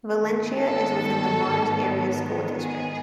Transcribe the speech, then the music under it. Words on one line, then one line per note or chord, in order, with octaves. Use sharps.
Valencia is within the Mars Area School District.
G#2 D#3 G#3 B3
A4
G#4